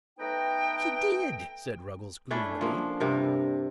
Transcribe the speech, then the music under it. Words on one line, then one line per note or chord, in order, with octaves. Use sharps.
"She did," said Ruggles gloomily.
A3 B3 D#4 B4 D#5 G5
A3 C#4 D4 E4
F3 A#3
G2 C3 A#4